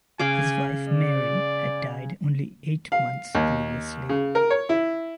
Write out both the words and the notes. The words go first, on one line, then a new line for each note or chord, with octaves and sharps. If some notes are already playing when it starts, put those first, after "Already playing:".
His wife Mary had died only eight months previously.
C#3 F5 G#5 D6
D5
F5
D#2
C#3
A#4
C#5
E4